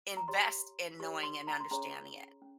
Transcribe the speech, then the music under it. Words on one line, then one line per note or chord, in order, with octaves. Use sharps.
invest in knowing and understanding it.
A#5
G4 C#5 C6
G4 C#5 C#6
C6
A#5
C6
C#4 G#4 C#5 A#5
C#4